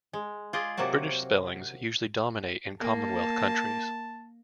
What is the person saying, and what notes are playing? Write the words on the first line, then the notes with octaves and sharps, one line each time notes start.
British spellings usually dominate in Commonwealth countries.
G#3
F4 G#4 D5 D#5
C3 F#3 A#3 F#4 A5
A#3 A5